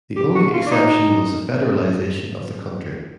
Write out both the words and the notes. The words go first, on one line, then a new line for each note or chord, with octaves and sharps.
The only exception was the federalization of the country.
G4
F#4
F4
D4
D#4